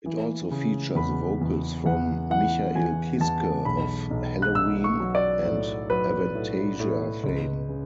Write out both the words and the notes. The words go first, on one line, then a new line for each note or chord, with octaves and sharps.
It also features vocals from Michael Kiske of Helloween and Avantasia fame.
E3
C#3
E2 B5
E2
E2 F#5
E3 F#5
E2 G#5
E2 A5
B1 B5
B1
F#6
B1 E6
C#6
F#3
D5
A2
F#3 B4
A2
A2
C#2
C#3